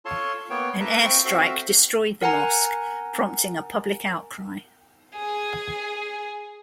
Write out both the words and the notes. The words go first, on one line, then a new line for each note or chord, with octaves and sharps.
An airstrike destroyed the mosque, prompting a public outcry.
F4 A4 C#5 A5 C6
A#3 B3 C#5 G5
A#3 A4 B4 E5 A5 A#5
C4 F4 C5 F5 G5 C#6
C4 F#4 A4 C5 E5 F5
A#4 F#5 G#5 A#5
G#4 G#5